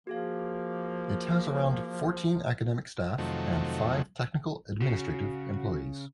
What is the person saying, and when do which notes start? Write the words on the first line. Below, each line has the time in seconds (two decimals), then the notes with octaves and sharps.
It has around fourteen academic staff and five technical-administrative employees.
0.07 F3 A#3 F#4 G#4 F5
3.18 F2 C3 D#3 F#3 A3
4.82 C#3 F#4